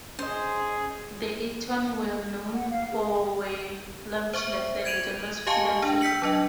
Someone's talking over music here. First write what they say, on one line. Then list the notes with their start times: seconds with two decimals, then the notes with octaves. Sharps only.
The Eatons were well-known for their lavish lifestyle and generous philanthropy.
0.19 C#4 G#4 C5 D#5
2.52 F#5
2.70 F5
2.92 G#4
3.08 G#4
4.34 C5 E5 C#6
4.85 G#6 D7 D#7 F7 F#7
5.47 G4 D#5 F5 G#5 A5 C#6
5.82 D4
6.01 E6 G6 B6 C#7 F#7
6.22 F#3 D4 D#5